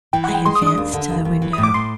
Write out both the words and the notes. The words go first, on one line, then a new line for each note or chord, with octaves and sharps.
I advanced to the window.
E3 G5
F#5
G#3
G5
G#3 C6
D#6
D4
D#6
D#2
D3
D#2
D#2
E3
D#6
A2
D6
A2 C6